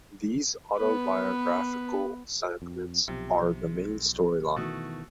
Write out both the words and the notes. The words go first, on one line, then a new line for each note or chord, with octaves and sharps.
These auto-biographical segments are the main storyline.
B3 B4
F2
B1 C3 F3
B2 D#3 E3 A3 F#4 D#6